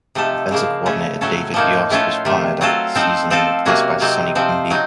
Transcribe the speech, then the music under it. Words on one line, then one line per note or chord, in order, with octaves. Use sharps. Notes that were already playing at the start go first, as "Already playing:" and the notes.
Offensive coordinator David Yost was fired after the season and replaced by Sonny Cumbie.
C3 F3 A3 D#4 A4
C#3 F3 A#3
C#3 A3 C#4
A2 F#3 A3 C#4 A4
A2 F3 A#3 D#4 A4
A2 A3 C#4 F4 A4
C3 D#3 A3
F#3 C4 F4 A4
F3 C4 D#4 A4
F3 C4 F4 A4
C3 F#3 A#3 C#4 F#4
C3 F#3 C4 D#4 A4
C3 F3 C4
F#3 C4 D#4